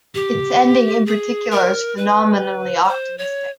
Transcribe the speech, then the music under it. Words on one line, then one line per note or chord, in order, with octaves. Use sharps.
Its ending in particular is phenomenally optimistic.
G4
G#4
A#4
B4
C#5
C5
C#5